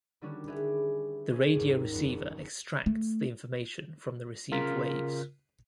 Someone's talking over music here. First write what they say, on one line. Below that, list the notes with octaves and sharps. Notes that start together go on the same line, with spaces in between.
The radio receiver extracts the information from the received waves.
D3 D#3 G3 C#4 D4 F#4
D4 G4 G#4 B4 D#5 E5
C#4 G4 G#4 C5
G#1 D#2 G#2
G1 F2 C#7
E1
A3
C#3 F4 A#4 F6 B6